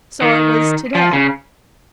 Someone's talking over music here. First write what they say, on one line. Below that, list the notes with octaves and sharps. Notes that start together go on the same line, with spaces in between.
So it was to-day.
D#3
F3
C#3